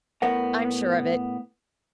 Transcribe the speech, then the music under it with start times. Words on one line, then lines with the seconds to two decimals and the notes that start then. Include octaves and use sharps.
I'm sure of it.
0.22 A2 B3 A#4 F#5